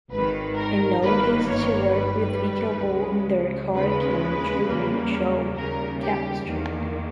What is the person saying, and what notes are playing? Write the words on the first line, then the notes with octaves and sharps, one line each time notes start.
In August she worked with Vika Bull in their Carole King tribute show, "Tapestry".
G#1 G#2 D#3 B4
A#4
G1 G2 D#3 A#3 B4
C#5
G2 D#3 G3 B4
C#2 C#3 G#3
D#2 C#3 G#3 B4
E2 C#3 G3 A#3
D#2 C#3 G3 A#4
G4
E2 D#3 A#3